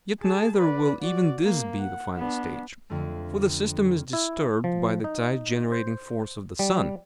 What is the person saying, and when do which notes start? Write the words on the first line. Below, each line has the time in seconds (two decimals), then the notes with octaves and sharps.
Yet neither will even this be the final stage; for the system is disturbed by the tide-generating force of the sun.
0.20 G#4 A5
0.56 B4 D5
1.00 F#4 D5
1.43 A#3
1.80 F#5
2.16 B3 D4
2.90 F2 D3 A3
4.13 E4
4.64 F3
5.04 D#4
5.72 C5
6.59 G3